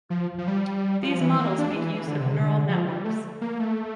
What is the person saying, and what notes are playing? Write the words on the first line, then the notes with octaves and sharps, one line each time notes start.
These models make use of Neural networks.
F3
F3
G3
F3
E3
A#3
D4
E3
E3
D3
C3
D3
F3
G3
A3
A#3
A3